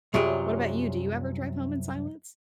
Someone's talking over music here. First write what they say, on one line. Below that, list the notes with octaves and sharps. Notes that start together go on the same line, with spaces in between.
What about you? Do you ever drive home in silence?
C2 F#2 F#3 F4 G4 G#4